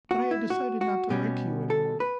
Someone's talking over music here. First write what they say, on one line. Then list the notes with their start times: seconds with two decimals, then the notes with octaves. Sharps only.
But I had decided not to write to you any more.
0.11 F#4
0.31 E4
0.50 F#4
0.81 F#4
1.10 B2 G3 C#4 G4
1.70 A4
2.00 B4